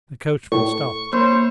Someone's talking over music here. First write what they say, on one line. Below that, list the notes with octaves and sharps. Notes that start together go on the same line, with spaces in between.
The coachman stopped.
A2 C#6
A#3 C5 C#5